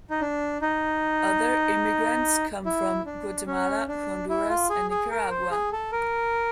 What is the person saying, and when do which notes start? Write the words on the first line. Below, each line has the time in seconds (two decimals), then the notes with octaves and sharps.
Other immigrants come from Guatemala, Honduras and Nicaragua.
0.10 D#4
0.21 D4
0.62 D#4
2.66 E4
3.06 D4
3.47 C#4
3.88 D4
4.29 E4
4.49 F4
4.70 G#4
4.90 G#4
5.11 A#4
5.30 C5
5.51 G#4
5.72 A4
5.92 A#4